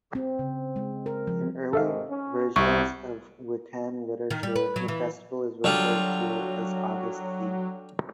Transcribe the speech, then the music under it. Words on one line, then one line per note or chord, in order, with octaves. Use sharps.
In early versions of Wiccan literature the festival is referred to as "August Eve".
C4
C#3
G#3
A#4
F3
G#2 C3 D#3 A4 E5 F5
C#4
C2 C3 C#6
D#3
G3
B4
F#3
E3
D3 F#3 G3 F4